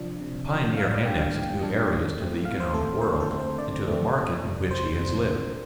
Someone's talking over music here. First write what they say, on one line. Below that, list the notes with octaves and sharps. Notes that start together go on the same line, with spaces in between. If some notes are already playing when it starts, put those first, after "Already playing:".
The pioneer annexes new areas to the economic world and to the market in which he has lived.
Already playing: C3 F3 D4
C3
F3 D4
A2 F5
D5
G3 D4 G5
F5
A2
G3 D4
A2
A3 C4
A2 F5
C5
A3 C4 A4
D3 C5
A4
A3 C4
C5
D3 D5
A3 C4
F2
C3 F3
F2 C5
C3 F3
D3